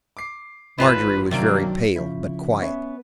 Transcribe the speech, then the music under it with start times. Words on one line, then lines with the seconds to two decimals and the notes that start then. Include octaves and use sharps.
Margery was very pale, but quiet.
0.17 D6 C7
0.78 G#1 G#3 F4 B4 A5
1.31 C3 D#3 F#3 A#3 D4 D7
1.96 C#3 F3 E4
2.62 B3 C#4 B4 E5